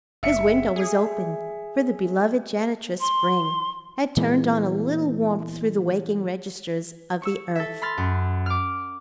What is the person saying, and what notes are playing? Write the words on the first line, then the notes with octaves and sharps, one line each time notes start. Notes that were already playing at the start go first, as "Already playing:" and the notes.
His window was open, for the beloved janitress Spring had turned on a little warmth through the waking registers of the earth.
F#1 E5 C#7
G#4
C6
A#2 E3 G#3 B3
C#6 E6
A4 E5
B5 C6 F6 A6
F#2
D6 F6